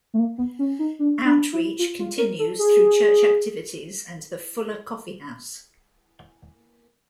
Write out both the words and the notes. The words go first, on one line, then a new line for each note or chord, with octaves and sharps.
Outreach continues through church activities and the Fuller Coffee House.
A3
A#3
B3
C#4
D#4
D4
D4
E4
F4
F4
A#4
A4
G#4